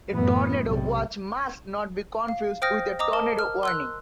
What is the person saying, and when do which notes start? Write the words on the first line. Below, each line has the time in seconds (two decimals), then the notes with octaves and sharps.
A tornado watch must not be confused with a tornado warning.
0.11 F#2 A2 E3 B3
0.65 B1 G#2 C3 G3
2.28 F5
2.62 C5 G5 D#6 F6 G6 A#6
2.99 D#5 A#5 D6 D#6
3.13 A#4 A5
3.39 F6
3.63 C6 E6 F#6